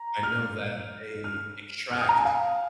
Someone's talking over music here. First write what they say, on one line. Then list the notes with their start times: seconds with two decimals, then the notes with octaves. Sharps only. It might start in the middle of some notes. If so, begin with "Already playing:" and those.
I know that they extract,
Already playing: A#5
0.23 F6
1.24 F6
1.91 F6
2.01 D#6
2.09 A#5
2.17 G#5
2.25 F5